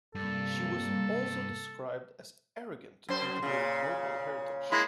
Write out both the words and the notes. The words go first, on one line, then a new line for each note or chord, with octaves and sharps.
She was also described as arrogant due to her noble heritage.
G2 C3 G3 A#3 A4
F#2 C5
A#2 C#3
G#3 A#3 E4 B5